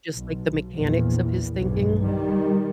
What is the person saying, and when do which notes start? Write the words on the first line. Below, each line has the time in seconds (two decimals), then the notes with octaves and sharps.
just like the mechanics of his thinking
0.14 B1
0.73 A#1 E2
1.55 B1 G2
2.00 D#3 G3